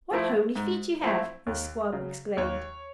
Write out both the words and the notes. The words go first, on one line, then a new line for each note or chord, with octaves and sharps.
"What homely feet you have!" this Squab exclaimed.
F3 A3 C4 E4
G#2
F3 A3 C4 E4
D#2
C#3 F#3
D#2 C#5